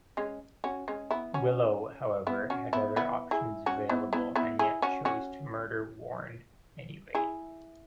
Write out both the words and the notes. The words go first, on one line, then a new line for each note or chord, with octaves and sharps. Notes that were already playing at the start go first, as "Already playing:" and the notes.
Willow, however, had other options available and yet chose to murder Warren anyway.
G#3 C#4
C#4 F#4
G#3 C#4
B3 E4
C#4 F#4
B3 E4
C#4 F#4
B3 E4
B3 E4
E4 G#4
C#4 F#4
B3 E4
B3 E4
B3 E4
E4 G#4
C#4 F#4
C#4 F#4
E4 G#4